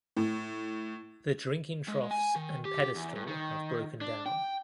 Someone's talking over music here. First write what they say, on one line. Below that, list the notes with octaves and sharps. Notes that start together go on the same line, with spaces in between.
The drinking troughs and pedestal have broken down.
A2
G#3
G#5
D#3
G4
E2
G2
D#3
D4
G5